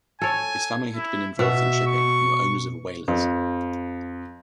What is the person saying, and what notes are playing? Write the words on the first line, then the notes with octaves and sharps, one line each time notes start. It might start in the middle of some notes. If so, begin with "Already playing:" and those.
His family had been involved in shipping and were owners of whalers.
A4 C#5 G#5
E4
B2 F#4 E5
C#6
F2